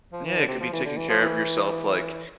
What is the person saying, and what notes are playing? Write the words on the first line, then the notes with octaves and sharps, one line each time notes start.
Yeah, it could be taking care of yourself like,
F3
E3
D3
C3
F3
E3
D3
E3
F3
E3